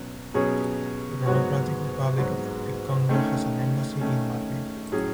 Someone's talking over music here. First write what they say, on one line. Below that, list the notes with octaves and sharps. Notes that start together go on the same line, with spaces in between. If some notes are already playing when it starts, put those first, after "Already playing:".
The Democratic Republic of the Congo has an embassy in Madrid.
Already playing: B2 F#3 C#4
B2 F#3 C#4 G#4 C#5
G#2 F#3 B3 F#4 C#5
G#2 F#3 B3 F#4 C#5
D#3 A3 C#4
D#3 A3 C#4
A2 F#3 C#4 G#4